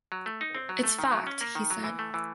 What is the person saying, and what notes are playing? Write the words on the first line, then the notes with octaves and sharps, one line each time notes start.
"It's fact," he said.
F#3
A3
D#4
C4
F#3
A3
D#3
F#3
C#4
A#3
D#3
F#3
E3
A3
E3